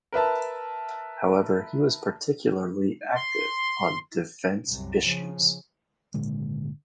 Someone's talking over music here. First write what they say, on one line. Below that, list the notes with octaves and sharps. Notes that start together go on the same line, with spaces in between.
However, he was particularly active on defense issues.
A#4 B4 E5 A5
C6
C2 F#2
C#3 F3
G#1 A#2 D3 G#3